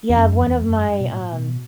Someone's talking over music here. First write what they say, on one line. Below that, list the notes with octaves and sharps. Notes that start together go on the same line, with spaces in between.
Yeah, one of my, um
E2
F#2
E2
F#2
G2
B2
A2
B2